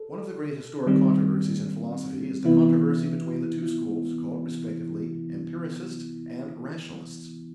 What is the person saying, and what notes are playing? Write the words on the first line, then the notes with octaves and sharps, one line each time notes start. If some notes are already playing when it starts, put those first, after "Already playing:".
One of the great historic controversies in philosophy is the controversy between the two schools called respectively 'empiricists' and 'rationalists'.
Already playing: A4
D#3 G3 C4
C3 E3 B3 E4